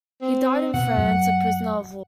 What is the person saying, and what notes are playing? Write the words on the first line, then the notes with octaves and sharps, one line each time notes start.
He died in France, a prisoner of war.
C4
B2 F#5
F#2